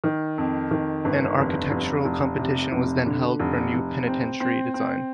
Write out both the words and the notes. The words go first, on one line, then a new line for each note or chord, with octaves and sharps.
An architectural competition was then held for a new penitentiary design.
D#3
F2
D#3
G1
F1
F1
F1
C3
F1
D3
F1
F1
C4
C4
C4